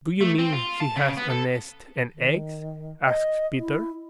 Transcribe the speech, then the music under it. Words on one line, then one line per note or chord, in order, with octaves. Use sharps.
"Do you mean she has a nest and eggs?" asked Peter.
A3
C4
F4
A5
C#3
B3
A4
D#3
D#5
E4